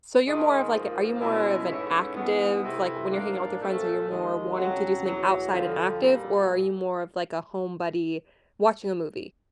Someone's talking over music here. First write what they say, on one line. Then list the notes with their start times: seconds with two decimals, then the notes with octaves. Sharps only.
So, you're more of, like, a are you more of an active like, when you're hanging out with your friends, are you more wanting to do something outside and active, or are you more of like a home buddy, watching a movie?
0.23 G#2 D#3 G#3
0.71 G#2 F3 A#3
1.19 B2 G#3 C#4 E4
1.67 G#2 E3 A3 C#4 E4
2.15 G#2 E3 G#3 B3
2.63 C3 E3 A3 C4 E4
3.11 G#2 F3 A#3 D4
3.59 A#2 F3 A3 C4
4.07 D#2 D#3 G#3
4.55 F2 C#3 F#3
5.03 E2 B2 F#3
5.50 F2 D3 F3
5.99 A#2 G3